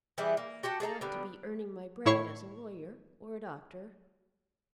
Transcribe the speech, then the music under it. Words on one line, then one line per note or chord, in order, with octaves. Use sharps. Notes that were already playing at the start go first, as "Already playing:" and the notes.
I ought to be earning my bread as a lawyer or a doctor.
E3 G3 E4 G#4
A#3
F#4 G4 F#5 A5
G#4 A4 E5 A#5
D3 G3 B3
A2 E4 C#5 C#6 C7 C#7